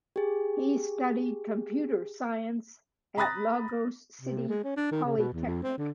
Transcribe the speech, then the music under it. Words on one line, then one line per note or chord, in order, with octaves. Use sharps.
He studied Computer science at Lagos City Polytechnic.
G4 G#4
A#5 B5 D#6 F#6 A6 A#6
C3
G#3
C#4
D4
D#3
C#3
B2
E2
F2
C4
D3